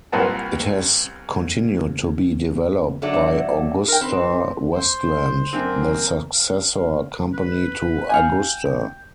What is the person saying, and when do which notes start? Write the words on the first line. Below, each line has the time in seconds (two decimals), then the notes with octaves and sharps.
It has continued to be developed by AgustaWestland, the successor company to Agusta.
0.12 C2 A#2 A#4 B4 F#5 A5
3.02 D3 F#3 A3 D5
3.88 A#4 G5
4.01 C4 B4
4.74 C5
5.53 F#2 D3 C4 A#4
6.33 F5
7.34 B4
8.09 F5 G5 G#5